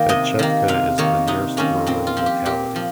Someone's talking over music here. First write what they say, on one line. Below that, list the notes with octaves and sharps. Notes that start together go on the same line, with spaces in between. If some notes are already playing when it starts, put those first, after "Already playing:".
Fedchevka is the nearest rural locality.
Already playing: D#3 A#3 G5
C3 D#5
D#3 A#3
C3 F5
D#3 A#3 C#5
C3 D#4
D#3 A#3 C#4
A#2 C4
F4
F3 C4
G4
A#2 G4
F3